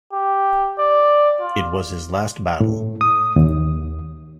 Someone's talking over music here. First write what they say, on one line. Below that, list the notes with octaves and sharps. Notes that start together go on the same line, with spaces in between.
It was his last battle.
G4
D5
F4
A2
D#6
D#2